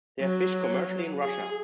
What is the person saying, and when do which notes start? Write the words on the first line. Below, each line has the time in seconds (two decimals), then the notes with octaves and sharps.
They are fished commercially in Russia.
0.23 F#3
1.24 G#4